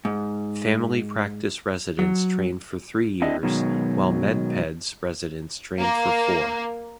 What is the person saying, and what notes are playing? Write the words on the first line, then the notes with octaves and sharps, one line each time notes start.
Family Practice residents train for three years, while Med-Peds residents train for four.
G#2
F#3
C4 D4 E4 D#5 E5
B2 D#3 F#3 G#3
A#3